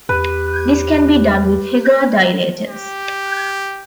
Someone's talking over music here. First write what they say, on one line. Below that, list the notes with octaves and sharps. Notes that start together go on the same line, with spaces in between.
This can be done with Hegar dilators.
E2 G4 B4
G4